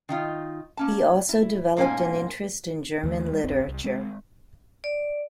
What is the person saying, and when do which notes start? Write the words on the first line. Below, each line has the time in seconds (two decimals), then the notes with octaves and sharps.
He also developed an interest in German literature.
0.09 D#3 D#4 F4
0.77 A#3 C#4 A5
1.29 E4
1.77 G#2 B2 A#3 C#4 C5 G#5
3.03 D#2 D#3 A3
3.32 G3
3.44 D1 G1 C4
3.67 C2
3.84 G#3 C4
4.84 D5